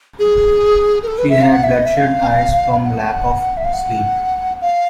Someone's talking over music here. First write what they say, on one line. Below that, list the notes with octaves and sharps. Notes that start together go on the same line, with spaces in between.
She had bloodshot eyes from lack of sleep.
G#4
A#4
A4
B4
E5
F5
F#5
E5
D#5
E5
F5
F#5
E5
F5
F#5
F5